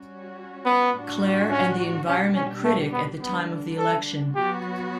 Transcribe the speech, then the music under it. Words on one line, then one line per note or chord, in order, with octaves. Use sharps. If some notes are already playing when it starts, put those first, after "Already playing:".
Clair and the environment critic at the time of the election.
Already playing: G3 C#4 F#4
B3
A2 G3 D4 F#4
C#4
B2 G3 C#4 D4 G4
C#4
A3
B3
D3 G3 B3 D4
A4
F#3 B3 F#4 G4